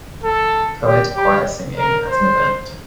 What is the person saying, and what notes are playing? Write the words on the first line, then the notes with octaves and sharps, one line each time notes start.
Coed choir singing at an event.
A4
G4
G4
A#4
C5